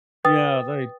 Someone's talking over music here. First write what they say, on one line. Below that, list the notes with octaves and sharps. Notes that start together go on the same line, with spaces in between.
Yeah, they
B4 G5 D#6 A6